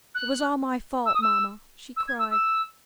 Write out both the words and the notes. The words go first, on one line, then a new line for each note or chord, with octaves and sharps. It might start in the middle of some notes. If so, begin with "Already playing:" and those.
"It was all my fault, Mamma!" she cried.
F#6
E6
D#6
E6
E6
G#6
E6
E6